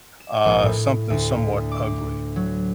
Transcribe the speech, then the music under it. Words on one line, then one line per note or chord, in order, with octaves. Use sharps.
uh, something somewhat ugly.
E7
A#1
A2
D2
D6
F#3